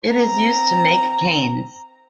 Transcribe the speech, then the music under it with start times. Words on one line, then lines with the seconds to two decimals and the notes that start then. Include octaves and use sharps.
It is used to make canes.
0.12 C4 A#5